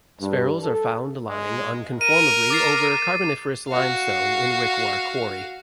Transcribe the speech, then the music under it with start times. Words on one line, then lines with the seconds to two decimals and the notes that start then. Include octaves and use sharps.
Spherules are found lying unconformably over Carboniferous limestone in Wickwar Quarry.
0.20 G2
0.62 A4
1.29 G#3
2.01 A#4 D#7
2.50 D6 A6 C7
3.69 F#4 F5